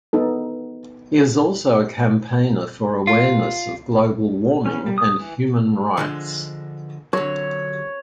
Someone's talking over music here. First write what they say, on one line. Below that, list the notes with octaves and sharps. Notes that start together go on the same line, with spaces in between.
He is also a campaigner for awareness of global warming and human rights.
B3 D#4 A4
F4
C#4
G3
D#6
E3
D3 F3 G#3
D3 F#3 C#5